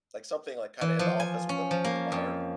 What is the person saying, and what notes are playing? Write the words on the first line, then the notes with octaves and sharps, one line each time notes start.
like, something, like, kinda in the office with a with a minor
E3
F3
G#5
C#4
F3
A#3
F2